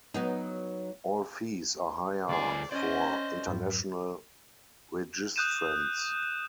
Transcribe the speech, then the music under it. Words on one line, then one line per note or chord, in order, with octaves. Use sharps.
All fees are higher for international registrants.
F#3 B3 D#4
D2 G#4 D5
C#4 C5 D5 D#5 G#6
F2 G#2 F#3
D#6 F#6 G6 D#7 E7